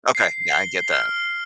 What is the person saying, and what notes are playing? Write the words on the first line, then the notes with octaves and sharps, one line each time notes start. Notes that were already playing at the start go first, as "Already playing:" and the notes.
Okay. Yeah, I get that.
C7
G7
F6